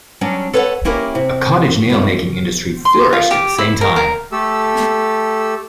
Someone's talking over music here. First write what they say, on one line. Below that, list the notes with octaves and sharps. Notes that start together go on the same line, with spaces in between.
A cottage nail making industry flourished at the same time.
F#3 G3 C#4 D4
A4 B4 C#5 F5 F#5
A#3 C#4 E4 G4 A#4
C3
F3 G3 B3 E4
C6
F4
G4
E4
A#4
A#4
A3 G4 A4 E6